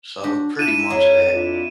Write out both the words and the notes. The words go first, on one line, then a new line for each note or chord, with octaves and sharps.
So, pretty much of that.
D4 F#4 G4
D4 E4 D#7 E7
F2 F#3
D4 E4 F4